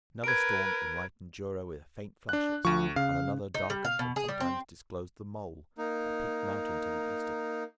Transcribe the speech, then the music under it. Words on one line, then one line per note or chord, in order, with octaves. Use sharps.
Another storm enlightened Jura with faint flashes; and another darkened and sometimes disclosed the Mole, a peaked mountain to the east of the lake.
A#4 B4 G#6 D7
D4 F#6
D2 F3 C#6
C#3 F5
D#4
G3
F5
B2
G#4
G3
C4
A#3 D#4